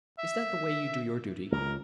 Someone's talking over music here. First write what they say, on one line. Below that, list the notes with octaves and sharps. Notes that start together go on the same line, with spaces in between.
Is that the way you do your duty?'
E5
C#2 A#4